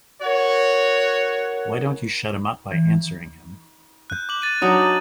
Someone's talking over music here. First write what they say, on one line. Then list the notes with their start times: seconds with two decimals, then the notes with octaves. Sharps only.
Why don't you shut him up by answering him?
0.22 F#4 A#4 C#5 F#5
2.71 E3
4.10 F#6 G6
4.29 D6 F#7
4.42 A6 D#7
4.62 F#3 D4 D#4